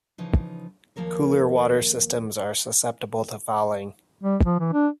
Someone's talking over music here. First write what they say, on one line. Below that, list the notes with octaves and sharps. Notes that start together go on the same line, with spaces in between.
Cooling water systems are susceptible to fouling.
C#3 E3 F3 D#4
D#2 F3 A#3 A#4 C#5
G3
F3
E3
D4